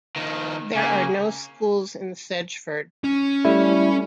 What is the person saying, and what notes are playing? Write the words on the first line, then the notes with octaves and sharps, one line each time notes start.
There are no schools in Sedgeford.
D#3 F3
C#3 A#3 G#5
C#4
G3 A3 E4